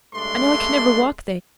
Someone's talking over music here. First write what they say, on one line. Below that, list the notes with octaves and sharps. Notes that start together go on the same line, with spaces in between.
I know I can never walk there.
G2 G#3 A3 D4 C6